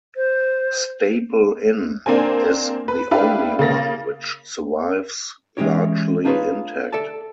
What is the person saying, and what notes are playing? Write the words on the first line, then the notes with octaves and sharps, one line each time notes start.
Staple Inn is the only one which survives largely intact.
C5
A#3 C4 D4 A#4 C5 G#5
B4
D4 E4 G4 B4 F5
C#3 A#3 A6 A#6
E3 G#3 C#4 D#4 G4 C#5
D4 D#4 F4 G#4 B4 C#5
A4 D5 E5 A5